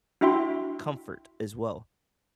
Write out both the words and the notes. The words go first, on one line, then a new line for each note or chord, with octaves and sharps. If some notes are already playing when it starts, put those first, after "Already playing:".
comfort as well.
D4 E4 F#4 E5 G5 C6